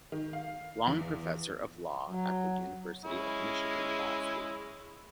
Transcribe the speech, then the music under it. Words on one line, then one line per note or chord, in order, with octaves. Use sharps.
Long Professor of Law at the University of Michigan Law School.
D#3
F5
E2
F#3
G#3 C#4 E4